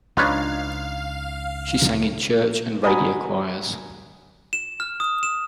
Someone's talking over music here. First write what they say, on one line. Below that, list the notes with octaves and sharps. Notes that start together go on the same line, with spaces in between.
She sang in church and radio choirs.
C#2 D4 D#4 F4 B4 C#5 F5
F#4 G#5 A#5 B5 D#6
E7
F6
D#6
E7